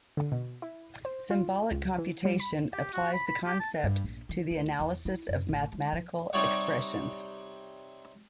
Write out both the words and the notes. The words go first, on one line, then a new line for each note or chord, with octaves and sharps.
Symbolic computation applies the concept to the analysis of mathematical expressions.
D3
B2
E4
C5
F4
C#2
E3
G3
B5
G4
F#4
B5
B5
G4
A5
G2
A#1
D#3
D2
E2
E4
F#2
A1
G#3
F3
C3 G3 D#4 C#5 D5 F#5